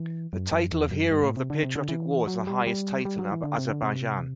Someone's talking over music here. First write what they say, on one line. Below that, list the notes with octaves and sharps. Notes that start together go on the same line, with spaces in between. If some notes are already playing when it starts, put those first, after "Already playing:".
The title of Hero of the Patriotic War is the highest title in Azerbaijan.
Already playing: E3
F#2
F#2
E2
F#2
G2
A2
C3
D3
C3
D3
E3
F#3
G3
G3
G3
F#3
E3
D3
C3
D3
C3